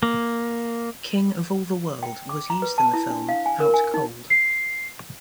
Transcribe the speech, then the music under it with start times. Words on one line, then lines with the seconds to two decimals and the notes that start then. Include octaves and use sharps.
"King of All the World" was used in the film "Out Cold".
0.03 A#3
2.03 G5
2.29 D6
2.50 A#5
2.62 B4
2.78 A5
2.94 E4
3.10 D4
3.29 F5
3.46 G#5
3.60 A#4
3.74 G#5
3.94 D#4
4.30 C7